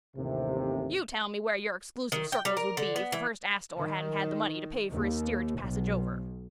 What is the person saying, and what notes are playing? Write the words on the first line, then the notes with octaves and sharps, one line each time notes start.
"You tell me where your exclusive circles would be if the first Astor hadn't had the money to pay for his steerage passage over?"
A1 D#2 C3
D#3
G5
G3
A#4
D3
B3
E3
D#3
D#2
B1